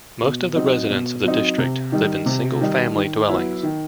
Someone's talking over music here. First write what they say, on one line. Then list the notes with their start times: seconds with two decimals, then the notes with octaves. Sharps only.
Most of the residents of the District live in single-family dwellings.
0.22 B2
0.56 F#3 C4 D#4
0.90 B2
1.24 F#3 C4 D#4
1.58 C3
1.92 D#3 G3 D#4
2.26 C3
2.61 D#3 G3 D#4
2.95 D#3
3.29 F#3 B3 E4
3.63 D#3